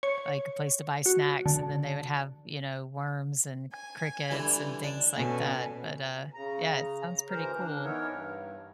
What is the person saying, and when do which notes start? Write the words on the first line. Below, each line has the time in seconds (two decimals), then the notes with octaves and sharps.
like a place to buy snacks, and then they would have, you know, worms and c crickets, and things like that, but, uh, yeah, it sounds pretty cool.
0.03 C#5
1.06 F#4
1.46 D3
3.73 G#5
4.31 D3 E3 G3
4.83 D4
5.16 B2 C#4 A4 G#5
6.34 C#3 A#5
7.30 D2 E3 A#4 C5 A#5
7.57 D4
7.83 E3 B3 D#4 E4 A#4 C#5
8.08 G2